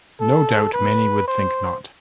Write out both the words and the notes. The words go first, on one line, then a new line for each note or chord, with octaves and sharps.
No doubt many would think not.
A4
B4
C5